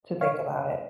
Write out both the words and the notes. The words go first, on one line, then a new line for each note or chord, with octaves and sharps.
to think about it.
C#5 F5